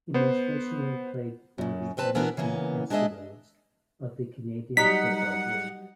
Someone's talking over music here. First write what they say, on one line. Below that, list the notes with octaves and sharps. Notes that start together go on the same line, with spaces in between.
He most recently played for the Edmonton Eskimos of the Canadian Football League.
B3 C5
F#2 C#3
F3 C4 B4 A5
E3 B3 D4 E4 A#4
C#3 E3 A#3 B3
G#3 D4 G#4 A4 D#5 E5
F#3 G3 D#4 F#5 B6